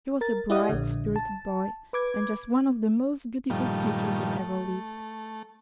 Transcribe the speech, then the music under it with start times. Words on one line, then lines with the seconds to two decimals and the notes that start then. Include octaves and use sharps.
He was a bright, spirited boy, and just one of the most beautiful creatures that ever lived.
0.21 A#4 A6
0.50 E4 G4 D5 D#5 F#5 D#6
0.69 A#1 D3
1.16 A5
1.93 B4 D6 G#6
3.50 G2 A#2 D#3 F3 G3 A3
4.38 A3